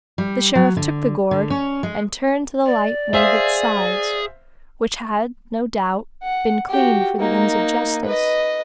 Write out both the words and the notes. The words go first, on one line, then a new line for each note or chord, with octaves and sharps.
The sheriff took the gourd, and turned to the light one of its sides, which had, no doubt, been cleaned for the ends of justice.
G3
F#3
D3
D3
C#4
G#3
D5
G#4 C5 E5 F5
F#5
F#4 G4
A#3 D#4
B4 D#5